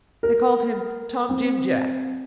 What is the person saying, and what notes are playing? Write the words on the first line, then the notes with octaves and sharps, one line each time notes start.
They called him Tom-Jim-Jack.
A#4
C4